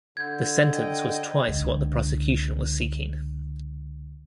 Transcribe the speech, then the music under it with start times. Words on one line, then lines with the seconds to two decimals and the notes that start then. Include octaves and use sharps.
The sentence was twice what the prosecution was seeking.
0.17 D3 G6 G#6
0.68 D#5 G5
1.47 C#2 D3